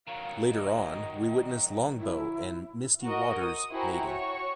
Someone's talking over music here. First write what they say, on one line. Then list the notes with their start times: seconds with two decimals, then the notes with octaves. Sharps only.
Later on, we witness Longbow and Misty-Water's mating.
0.07 D#3 F#3 F5
0.49 D#5
2.00 E4
3.04 F#4 A#4 D#5
3.43 D#6
3.73 E4 F#4 C5 G5 G#5 A#5
4.06 F#4 C#5 C#6